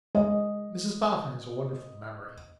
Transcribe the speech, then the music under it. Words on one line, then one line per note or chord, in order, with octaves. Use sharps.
Mrs Boffin has a wonderful memory.
G#3 D#5